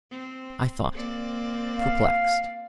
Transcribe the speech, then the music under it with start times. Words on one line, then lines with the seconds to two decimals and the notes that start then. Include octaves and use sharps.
I thought perplexed.
0.11 C4
0.94 A#3 C4 D5
1.77 F5